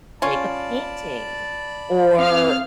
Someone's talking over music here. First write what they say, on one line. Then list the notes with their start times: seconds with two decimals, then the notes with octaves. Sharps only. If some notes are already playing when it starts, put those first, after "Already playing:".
make a painting, or
0.22 C#4 F4 D5 A5 B5
2.18 A3 C4 F5 D#6 F6